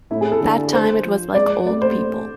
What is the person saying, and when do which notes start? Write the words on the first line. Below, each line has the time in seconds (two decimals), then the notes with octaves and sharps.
That time it was like old people.
0.11 A2 E4
0.21 G#4
0.32 A4
0.41 D3
0.73 C5
1.04 F3
1.35 G#3 D5
1.66 A3 D5
1.81 C5